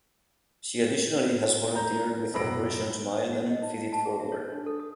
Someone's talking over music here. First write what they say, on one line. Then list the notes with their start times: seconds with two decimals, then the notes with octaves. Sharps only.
She additionally has volunteered with Operation Smile and Feed it Forward.
1.75 A#5 G6
2.34 F#2 B2 B5 E6 A#6 D7
3.33 F#5
3.49 D#5
3.62 D#4
3.77 F5
3.93 A5
4.06 G#4
4.20 E5
4.32 C#5
4.52 D4
4.66 A4
4.80 D#6